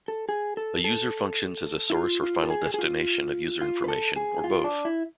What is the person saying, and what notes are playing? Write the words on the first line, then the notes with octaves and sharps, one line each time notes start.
A user functions as a source or final destination of user information, or both.
A4
G#4
A4
A4
E4
F4
F4
A4
G#4
G#4
F4
F4
B4
A4
G#4
F4
D4
E4